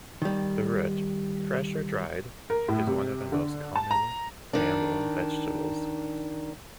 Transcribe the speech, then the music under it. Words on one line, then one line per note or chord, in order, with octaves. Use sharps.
The root, fresh or dried, is one of the most common namul vegetables.
D#3 G3
A#4
A2
C3
D3
A5
A#5
D#3 D4